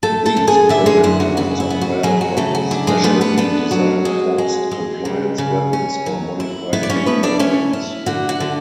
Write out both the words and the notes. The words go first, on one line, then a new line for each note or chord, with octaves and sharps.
These projectiles are fired from specially designed forced compliance weapons or modified paintball guns.
A3 A4 A5
A4 A5
F#2
G#4 G#5
D3 E4 E5
G#3 G#4
F#2 E4
F#4
C#3 F#4
E4
B3
F#4
F#3 G#3 G#4
F#4
C#3 A3 A4
F#4
D4 E4
G#3 G#4
A3 B3 B4
B3 B4
B3 D4 B4
F#3 F#4
G#3
G#3
G#3
C#3
C#3
C#4
F#3
E4
B3 E4 B4
D5
C#4 C#5
A3 B3 B4
D4 D5
C#4 E4 C#5
E4
D3 F#4
F#4
D3